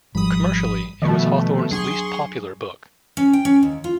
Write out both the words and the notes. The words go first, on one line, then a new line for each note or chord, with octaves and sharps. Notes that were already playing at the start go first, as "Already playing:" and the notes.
Commercially, it was Hawthorne's least popular book.
G#1 F3 G3 B5 D#6
B2 D#3 F3 G3 A3
F#3 D4 G#4 C6 C#6
C#4
G5
C#4
D#2
F4